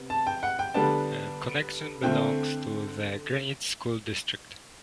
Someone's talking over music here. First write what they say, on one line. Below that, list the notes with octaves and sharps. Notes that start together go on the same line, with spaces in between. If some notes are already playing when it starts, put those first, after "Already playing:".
Connection belongs to the Granite School District.
Already playing: C3 B3
A5
G5
F#5
G5
D3 G3 B3 D4 A5
D3 A3 C4 G5